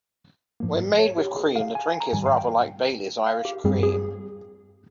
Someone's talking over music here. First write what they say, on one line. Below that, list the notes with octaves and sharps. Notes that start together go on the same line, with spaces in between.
When made with cream the drink is rather like Baileys Irish Cream.
G#2 F3 A#3
C#5
G4
G#4
F5
G#5
G#5
A#5
G#2 D#3 G3 G#5
F5
G5
F5
G4
G2 G3 C4 G#4
G#4